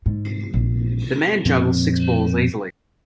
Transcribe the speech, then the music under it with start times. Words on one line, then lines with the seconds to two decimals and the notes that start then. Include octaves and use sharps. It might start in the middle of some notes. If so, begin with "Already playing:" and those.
The man juggles six balls easily.
0.06 G#2
0.54 A#1
1.45 F2 A#2 F3 C4